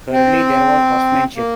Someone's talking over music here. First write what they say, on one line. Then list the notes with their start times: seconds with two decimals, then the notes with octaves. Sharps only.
Thirdly there was horsemanship.
0.13 C4
1.36 A#3